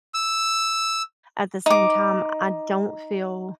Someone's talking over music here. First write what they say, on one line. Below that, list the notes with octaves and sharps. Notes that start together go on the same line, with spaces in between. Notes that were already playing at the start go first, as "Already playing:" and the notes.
at the same time, I don't feel
E6
D#4 D6